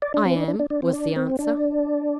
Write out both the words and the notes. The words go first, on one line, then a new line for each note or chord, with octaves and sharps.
"I am," was the answer.
D5
D4
C4
D4
D4
D4
D4
C4
D4
C4
D4